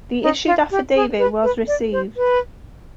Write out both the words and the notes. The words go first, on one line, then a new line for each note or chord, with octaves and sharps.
The issued affidavit was received.
D#4
F4
G4
G#4
B4
B4
D5
C5
B4